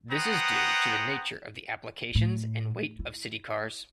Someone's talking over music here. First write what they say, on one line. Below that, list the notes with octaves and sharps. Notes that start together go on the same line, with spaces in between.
This is due to the nature of the applications and weight of city cars.
B3 C5 F#5 G5 A#5 D#6
A2
E4